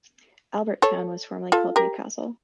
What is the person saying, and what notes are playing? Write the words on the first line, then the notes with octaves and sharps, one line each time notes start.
Albert Town was formerly called Newcastle.
A4 C#5
F4 A4
G4 A#4